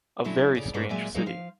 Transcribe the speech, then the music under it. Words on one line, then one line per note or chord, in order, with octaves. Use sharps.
A very strange city.
D3 F#3 A3 C#4 D4 E4
C#3 D5
G#2 B2 A3 D4 D#4
A#2 F#3 G#3 D5 E5 G#5
F#3 G#3 D#4 E4 A#4 F5
F3 F5